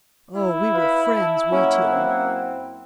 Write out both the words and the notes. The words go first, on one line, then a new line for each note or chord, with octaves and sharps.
Oh, we were friends, we two!
E4
B4 F5 B5
A5
F#2 A#3 C#4 F#5
C4